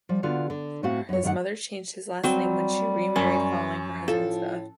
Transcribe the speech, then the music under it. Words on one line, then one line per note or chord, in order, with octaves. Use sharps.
His mother changed his last name when she remarried following her husband's death.
F3 G3
D3 A#3 B3 F4 F#4
D3
A2 A3 C4 F#4 F5
F#2 C#5
F#2 D#3 A#3 A4 F#5
F#3 G3 C4
F#2 C#4
A2 F3 A4